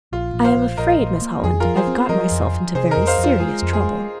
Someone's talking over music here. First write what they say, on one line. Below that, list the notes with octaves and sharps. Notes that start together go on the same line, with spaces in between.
"I am afraid, Miss Holland, I've got myself into very serious trouble."
A#1 F4
A#1
C5 F5
A#1
A#1 A#4 D#5
A#1
A#3
F2 G#4
F3 F4 A#4
G#4 C5
C4
F3 A#4 D#5
F2
F3
C3 G#4 C5
A#4 D#5
F2
C5 F5
F2
F4
G#3 G#4
F2
G#4
G#3